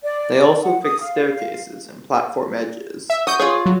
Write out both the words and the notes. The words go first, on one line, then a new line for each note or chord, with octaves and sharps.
They also fixed staircases and platform edges.
D5
F#5
D#6
F5
E5
F#4 D#6 G6
F4 G#4 C#5
F#3